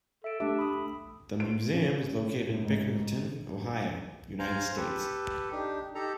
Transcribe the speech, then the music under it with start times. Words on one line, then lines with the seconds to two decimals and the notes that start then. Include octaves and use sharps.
The museum is located in Pickerington, Ohio, United States.
0.24 A4 E5 D7
0.40 A3 D4 G4 E5
0.59 B5 D#6
1.40 D7
1.73 C#4
2.49 A2
2.65 G#2
4.39 C5 F5 G#5 A#5
4.76 G4 A4 B4
5.51 D4 D#4 G4
5.95 D#4 G4 A4 A#5